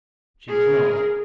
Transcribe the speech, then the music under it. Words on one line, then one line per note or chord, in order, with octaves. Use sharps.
She was not.
G#4 A#4